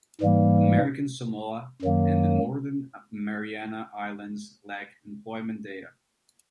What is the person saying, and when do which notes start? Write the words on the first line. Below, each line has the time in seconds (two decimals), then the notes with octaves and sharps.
American Samoa and the Northern Mariana Islands lack employment data.
0.21 G#2 E3 G3 A#3
1.82 F#2 D#3 F#3 A#3